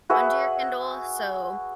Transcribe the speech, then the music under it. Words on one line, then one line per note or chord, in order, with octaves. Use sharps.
under your Kindle, so,
F#4 G#4 B4 E5